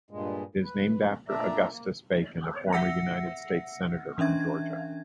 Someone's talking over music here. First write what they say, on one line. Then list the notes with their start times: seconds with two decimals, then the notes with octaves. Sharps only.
It is named after Augustus Bacon, a former United States Senator from Georgia.
0.11 G2 A#2 G#3
0.64 B4
1.29 A#2 A3 D4 D5 E5 A#5
1.69 A#3
2.73 E5 F#5 E6 A#6 C#7
4.18 E3 C#4 D4 E5 G#6